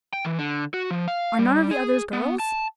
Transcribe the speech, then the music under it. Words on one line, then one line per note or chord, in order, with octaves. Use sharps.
"Are none of the others girls?"
G5
E3
D3
F#4
F3
F5
G3
G#4
B3
A5